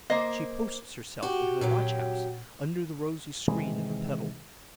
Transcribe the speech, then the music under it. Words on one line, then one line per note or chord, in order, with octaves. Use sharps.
She posts herself in her watch-house, under the rosy screen of a petal.
A#3 C5 D#5
F#4 G4
F#2 A#2 F#3 G4
C3 D#3 E3 G#3